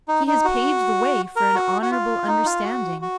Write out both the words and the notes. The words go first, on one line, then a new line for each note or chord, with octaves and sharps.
He has paved the way for an honourable understanding.
D#4
D#4
F#4
A#4
F#4
F#4
F4
D#4
F4
F#4
F#4